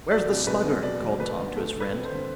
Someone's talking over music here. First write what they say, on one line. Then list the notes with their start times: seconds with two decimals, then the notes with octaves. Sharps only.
"Where's the Slugger?" called Tom to his friend.
0.11 F#3 D5
0.29 C2
0.47 C2 B4
0.65 B2
0.83 F#3 D5
1.02 D2
1.20 A3 B4
1.38 D3
1.56 A3 A4
1.74 G2
1.80 B4
1.92 C4
2.05 C5
2.11 D3